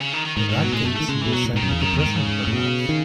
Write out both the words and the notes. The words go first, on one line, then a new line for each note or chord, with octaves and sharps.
In that case you will send me to the prison, perhaps?
C#3
D#3
D#3
G#2 D#3
D#3
B2 F#3
A2 G#3
B2
A3
D#3 A3
C#3 G#3
E3
B2
F#3
A2
G#2 D#3
F#2
E2 C#3
F#2 D#3
E2
D#3
G#2
C#3
A2
B2
D#3